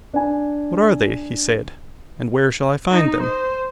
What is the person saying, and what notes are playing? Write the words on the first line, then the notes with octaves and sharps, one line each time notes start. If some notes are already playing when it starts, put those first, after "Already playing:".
What are they, he said, and where shall I find them?
D4 G#5
D#4
C5